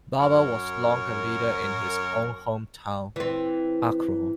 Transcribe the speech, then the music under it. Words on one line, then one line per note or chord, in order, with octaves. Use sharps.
Barber was long a leader in his own home town, Akron.
F#2 A#4 C#5
E3 C4